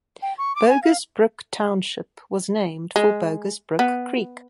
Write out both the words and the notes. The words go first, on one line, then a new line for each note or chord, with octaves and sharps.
Bogus Brook Township was named for Bogus Brook creek.
G5
C#6
D6
G#5
F5
G#3
B3